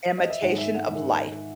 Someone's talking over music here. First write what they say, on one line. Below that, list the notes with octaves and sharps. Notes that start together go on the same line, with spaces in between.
Imitation of Life.
D#5
E5
G#2 D#3 G#3 F#5
E5
F#5
G#2 D#3 G#3 E5